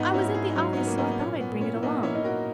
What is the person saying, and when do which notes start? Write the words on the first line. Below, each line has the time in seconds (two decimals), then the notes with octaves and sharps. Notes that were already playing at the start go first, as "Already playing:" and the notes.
I was at the office, so I thought I'd bring it along.
Already playing: G#2 B3 D#4
0.09 F#4
0.14 C#4 E4
0.24 G#2
0.35 E4 G#4
0.50 D#4
0.56 F#3 C#4
0.73 C#4
0.77 B3 D#4
0.87 A#3
0.98 B3 D#4
1.11 D#4
1.19 A#2 C#4
1.41 B3
1.51 A#2
1.61 C#4
1.75 E4
1.83 A#3 B3 D#4
2.03 C#4 E4
2.15 D#4
2.24 F#4 A#4